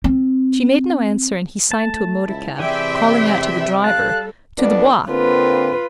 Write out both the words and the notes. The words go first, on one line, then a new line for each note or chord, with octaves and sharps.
She made no answer, and he signed to a motor-cab, calling out to the driver: "To the Bois!"
C4
A3 A5
C#2 E4
C3 E3 G#4 D5 E5 G5 B5 C6
G3 A4 F5 A5 F#6
F2 B3 D4
D3 A#3 C4 F4 B4